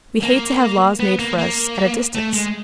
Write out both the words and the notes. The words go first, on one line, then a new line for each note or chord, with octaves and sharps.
We hate to have laws made for us at a distance.
A#3
B3
A#3
A#3
A3
G#3